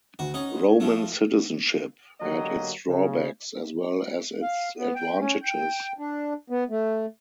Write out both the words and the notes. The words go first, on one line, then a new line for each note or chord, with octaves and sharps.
Roman citizenship had its drawbacks as well as its advantages.
D2 F#4
C#4 D#4 F#5
F3 A3
D3 F#3 A#3 G4 D#5
C#3
F5
B3
G5
C#4
G5
D4
B3
A3